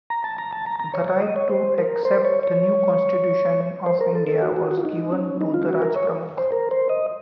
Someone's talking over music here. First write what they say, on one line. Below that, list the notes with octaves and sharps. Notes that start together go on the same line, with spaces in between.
The right to accept the new constitution of India was given to the Rajpramukh.
A#5
A5
A#5
A5
A#5
A#5
C#5
C#5
D#5
C#5
C5
A#4
C5
C#5
C#5
C5
A#4
A4
A4
F#4
F#4
F#4
F4
D#4
C#4
D#4
F4
F#4
A#4
C#5
C5
A#4
C5
D#5